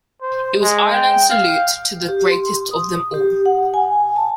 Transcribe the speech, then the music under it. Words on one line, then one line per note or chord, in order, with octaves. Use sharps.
It was Ireland's salute to the greatest of them all.
C5
G#3
G5
F5
G4
C6
D#6
G4
F#5
G#5
A5